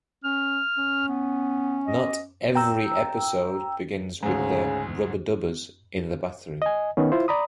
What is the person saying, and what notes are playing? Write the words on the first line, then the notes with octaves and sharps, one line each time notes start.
Not "every" episode begins with the Rubbadubbers in the bathroom.
C#4 F6
C#4
B3
D#5
G5 A#5 E6
D2 G#2 C#3 G#5
D#5 G#5
D#3 B3 C#4
E4 F4 C5
D5 A#5 B5 D#6